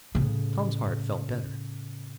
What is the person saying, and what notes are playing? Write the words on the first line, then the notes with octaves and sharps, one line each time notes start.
Tom's heart felt better.
A2 C#3